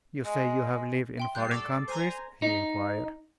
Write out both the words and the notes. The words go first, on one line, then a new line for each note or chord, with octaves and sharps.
"You say you have lived in foreign countries?" he inquired.
G#3
E5 G5 C6
A2 G3 F#6 G6 C7
A4 D5 C#6 D6 F7
D6
C5 G#5 A#5
D#4